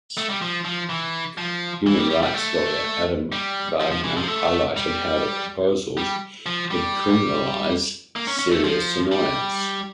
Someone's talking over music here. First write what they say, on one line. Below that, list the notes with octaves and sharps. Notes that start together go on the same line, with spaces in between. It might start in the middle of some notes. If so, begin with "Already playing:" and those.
Human rights lawyer Adam Wagner highlighted how the proposals would criminalise "serious annoyance".
A3
G3
F3
F3
E3
F3
E3
G3
G3
G3
A3
G3
F3
F3
E3
F3
A3
G3
G3
F3
G3
A#3
C#4
C#4
A3
F3
G3